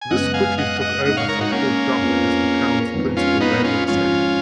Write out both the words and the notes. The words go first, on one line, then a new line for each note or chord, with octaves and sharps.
This quickly took over from Port Dock as the town's principal railway station.
G#5
F#2 C#3 G#3 B3 D#5 F#5
F5 G#5
D#5 F#5
D#5 F#5
C#3 G#3 D#4 D#5 F#5
C#5 F5
A#4 C#5
D#4 F#4
A#3 C#4
F2 F3 B3 F4 G#4
F2 D#3 G#3 B3
C#4 F4
B3 D#4
C#4 F4
G#1 G#2 F3 C#4 F4